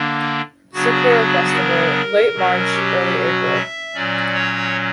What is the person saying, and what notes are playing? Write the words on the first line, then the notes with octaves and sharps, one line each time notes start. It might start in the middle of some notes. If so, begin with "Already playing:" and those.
Sakura Festival: Late March-Early April.
Already playing: D3 A#3 D4
C#3 F#3 B3 D4 F#4
A#4
B2 F#3 C#4
G4
F#4
E5
A#2 F#3 C#4 D5
C#5